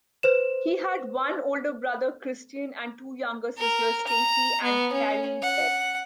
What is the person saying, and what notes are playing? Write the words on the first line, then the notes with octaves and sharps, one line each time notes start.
He had one older brother, Christian, and two younger sisters, Stacy and Carrie Beth.
B4 C5 E7
A#4
A#5
B3
C#4
F#5